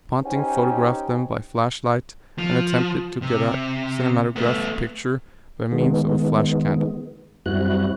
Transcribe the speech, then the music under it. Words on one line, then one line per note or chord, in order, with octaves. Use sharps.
Ponting photographed them by flashlight and attempted to get a cinematograph picture by means of a flash candle.
C#4 D#4 G4 C5 G5 G#5
F3
C3
A3 B3
D#3 G#3 B3
F#2 G3 C4 E4 F#4 F#6